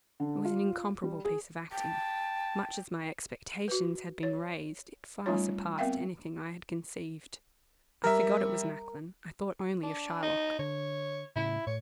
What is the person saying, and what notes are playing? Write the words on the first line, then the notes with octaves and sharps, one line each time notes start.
It was an incomparable piece of acting: much as my expectations had been raised, it far surpassed any thing I had conceived--I forgot it was Macklin, I thought only of Shylock.
D3
F4
G3
G#4
G5 A5
F#4 B4
C#5
G3 A3 C#4 D#4 F4 C#5
B3 C4 A#4 E5 F5 G5
G3 A#4 E5
D4
D#4
D3 C#5
A2 C#3 A3 E4
A2 C#5